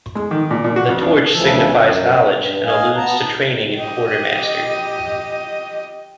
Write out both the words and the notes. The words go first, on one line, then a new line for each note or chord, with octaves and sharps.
The torch signifies knowledge and alludes to training in Quartermaster.
G#3
D#3
A#2
A#2
F#4
F2
D4
D2 C#3 E3 F3 A4
F#2
G2
D#5 F5 G#5
B3 A5 A#5
G4 D#5